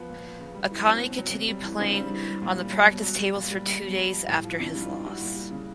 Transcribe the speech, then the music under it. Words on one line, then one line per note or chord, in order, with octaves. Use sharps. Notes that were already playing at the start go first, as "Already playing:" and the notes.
Akani continued playing on the practice tables for two days after his loss.
Already playing: F3 B3
A#2
F3
C#3
G3
E3
F#3 C4
B2
F#3
C3
G3
E3
C#3 C4 D4
G3
E3
G3
A#2
G3
F#3
B2
F#3
G3
A#2
G3
G3
B2
G3
F3
A2
F3
F4
C3 D4 E4
G3
D#4 F4
E3
G3 E4 F#4
A#2
G3
C#3